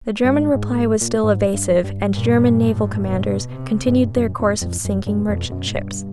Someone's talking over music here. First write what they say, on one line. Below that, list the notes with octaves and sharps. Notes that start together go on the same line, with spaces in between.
The German reply was still evasive and German naval commanders continued their course of sinking merchant ships.
G2
G#2
G#2
A2
G#2
A#2
G#2
G2
G2
G#2
G2 A#2
A2
B2
C3
G#2
G2 A#2
F#2
F2 A2
F2
F#2 B2
G2
F2
F#2
G#2
G2